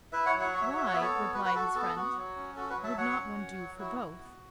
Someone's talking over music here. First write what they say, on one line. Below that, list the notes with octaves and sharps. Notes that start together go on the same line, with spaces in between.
"Why," replied his friend, "would not one do for both?"
E4 B4 E5
C#5 F#5
F#3
C#5 F#5
F#4 C#5
E5
C#5
F#4 E5
C#5
B3 E5
A4 C#5
B3
F#4 B4
F#4 B4
F#4 A4
B3 A4
B3 F#4
F#3
C#4
F#4 A4
F#4 B4
F#3
E5 A5
F#3 C#5 F#5
C#4
F#4
F#3
E4 F#4
E4
B3